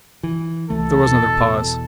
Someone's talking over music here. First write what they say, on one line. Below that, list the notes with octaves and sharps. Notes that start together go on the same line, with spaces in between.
There was another pause.
E3
C2 E3 A3 A4
E2 B2 E3